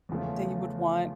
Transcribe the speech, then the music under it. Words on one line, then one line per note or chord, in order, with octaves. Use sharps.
that you would want?
E2 C#3 F3 A3